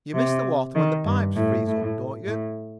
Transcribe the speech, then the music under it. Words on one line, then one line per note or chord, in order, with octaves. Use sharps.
You miss the water when the pipes freeze up, don't you?
C3
D#3
G2
A2
A2
A2